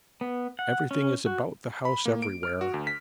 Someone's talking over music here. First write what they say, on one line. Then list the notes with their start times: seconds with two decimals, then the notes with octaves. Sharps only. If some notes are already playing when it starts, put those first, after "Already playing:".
Everything is about the house everywhere.
0.21 B3
0.59 F#5
0.91 C#4
1.26 F#4
1.85 B5
2.05 A#3
2.22 D7
2.43 F6
2.61 F#4
2.74 D2
2.87 B6